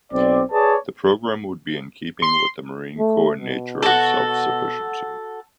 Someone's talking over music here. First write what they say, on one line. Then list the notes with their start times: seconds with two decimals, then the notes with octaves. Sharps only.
The program would be in keeping with the Marine Corps nature of self-sufficiency.
0.13 B1 C4 D5
0.52 G#4 B4 C#5 D5 A5
2.22 C6
2.98 A3
3.39 B2
3.83 F#4 A4